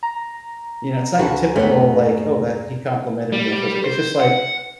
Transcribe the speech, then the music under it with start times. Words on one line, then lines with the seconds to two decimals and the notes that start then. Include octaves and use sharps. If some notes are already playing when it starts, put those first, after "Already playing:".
you know, it's not your typical, like, "Oh, that he complimented me, and it feels like" it's just, like,
0.03 A#5
1.19 D2 F#4 B4 F#5 G#5 A5 B5
1.56 F2 G#2 G3 A3 B3 A#4 C#5
3.32 G3
3.84 C5
4.20 F#5